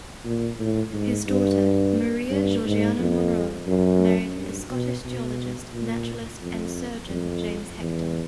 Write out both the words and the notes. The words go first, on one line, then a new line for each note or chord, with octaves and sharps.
His daughter, Maria Georgiana Monro, married the Scottish geologist, naturalist, and surgeon James Hector.
A#2
A2
G#2
G2
G2
G#2
F2
F#2
G2
B2
B2
A#2
F2
F2
E2